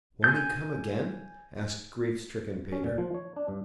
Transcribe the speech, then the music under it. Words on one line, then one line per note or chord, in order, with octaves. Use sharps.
"Won't he come again?" asked grief-stricken Peter.
G#5 G6
C#4
A#2
F3
C#5
D4
G2